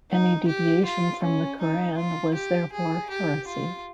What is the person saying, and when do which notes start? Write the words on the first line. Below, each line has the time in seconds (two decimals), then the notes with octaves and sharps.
Any deviation from the Qur'an was therefore heresy.
0.11 D#4
0.48 G4
0.85 F4
1.23 C#4
1.61 D#4
1.97 F4
2.35 G4
2.72 G#4
3.10 G4
3.47 F4